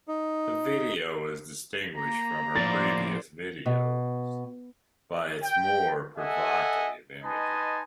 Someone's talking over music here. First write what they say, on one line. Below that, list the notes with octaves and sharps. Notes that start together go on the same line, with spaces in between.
The video is distinguished from her previous videos by its more provocative imagery.
D#4
A#3 A#5
A2 F3 A#3 C5 D5 A6
B2
G5
A4 D#5 E5 F#5 G#5
D#4 B4 D#5 G#5 A5 C6